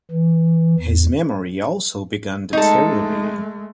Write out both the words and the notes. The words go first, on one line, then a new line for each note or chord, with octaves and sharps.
His memory also began deteriorating.
E3
E2
G#3 A3 D#4 A4